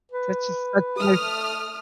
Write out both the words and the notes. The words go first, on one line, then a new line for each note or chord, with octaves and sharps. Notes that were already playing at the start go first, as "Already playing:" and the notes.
Such a such a nice
B4
A3 D#6 F6